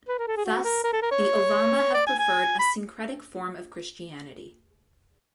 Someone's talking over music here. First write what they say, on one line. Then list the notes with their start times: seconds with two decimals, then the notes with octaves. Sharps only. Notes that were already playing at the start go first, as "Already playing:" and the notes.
Thus, the Ovamba have preferred a syncretic form of Christianity.
0.08 B4
0.19 A#4
0.27 A4
0.37 G#4
0.46 F#4
0.65 A#4
0.84 A#4
0.92 A4
1.02 A#4
1.11 C#5
1.94 D5
2.07 G#5
2.19 G#5
2.59 B5